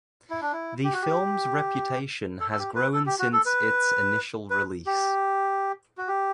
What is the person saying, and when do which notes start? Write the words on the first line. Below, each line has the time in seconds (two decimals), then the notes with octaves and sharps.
The film's reputation has grown since its initial release.
0.30 E4
0.42 D4
0.53 E4
0.84 G4
0.93 F#4
1.02 G4
2.40 A4
2.51 A4
2.58 G4
2.76 B4
2.93 A4
3.06 G4
3.19 F#4
3.33 A4
3.46 B4
4.50 B4
4.86 G4
5.98 F#4
6.08 G4